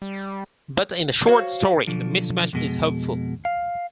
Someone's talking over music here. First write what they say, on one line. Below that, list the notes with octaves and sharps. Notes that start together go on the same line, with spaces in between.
But in the short story the mismatch is hopeful.
G3
F#4 C5 C#5 F5
B1 D3 F3
F2 B2 G#3
F5